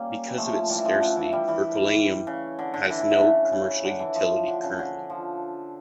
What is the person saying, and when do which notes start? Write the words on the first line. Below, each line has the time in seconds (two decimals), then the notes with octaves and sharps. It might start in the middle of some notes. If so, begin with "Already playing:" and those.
Because of its scarcity, berkelium has no commercial utility currently.
Already playing: G3 A#3 C#4
0.28 G3
0.38 F3 A3
0.69 E3 G3
0.85 F3
0.94 C#3
1.01 D3
1.16 E3
1.33 E3 G3
1.48 E3 G3
2.27 C#3
2.59 D3
2.74 D3
2.90 E3
3.00 E3
3.11 D3
3.21 C#3
3.52 C#3
3.84 D3
4.00 E3
4.15 F3
4.47 D3
4.64 C#3
4.79 D3
5.10 F3